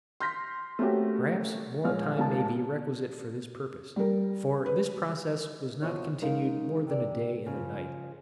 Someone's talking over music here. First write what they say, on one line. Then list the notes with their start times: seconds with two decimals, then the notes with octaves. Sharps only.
Perhaps more time may be requisite for this purpose, for this process was not continued more than a day and a night.
0.20 C6 F6 G6 A#6 B6
0.79 A3 A#3 C4 C#4 F#4 G4
1.84 A#1 G#3 C#5 F6
2.17 D#2 A#2 G#3 A#3 A5
3.96 G3 A#4
4.66 B4
5.82 E2 C3 F3 F#4 C#5 D#5
6.21 G#3 D#4 A#4 F5
6.87 C3 D5
7.46 C#3 F3